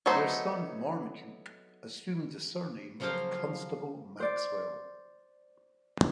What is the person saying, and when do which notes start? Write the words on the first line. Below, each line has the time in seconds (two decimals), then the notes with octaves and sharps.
Their son Marmaduke assumed the surname of Constable-Maxwell.
0.06 F#3 A3 B3 D#4 C5
3.00 C#3 F3 F#3 A#3 C5 F5
4.20 C5 D5